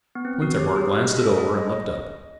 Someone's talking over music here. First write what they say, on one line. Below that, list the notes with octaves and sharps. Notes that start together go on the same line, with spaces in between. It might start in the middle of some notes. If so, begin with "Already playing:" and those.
Winterborne glanced it over and looked up.
B3
C4 B4
F#4
G4 C#5
G#4
F#4 D#5
A4
G#4
A4
G#4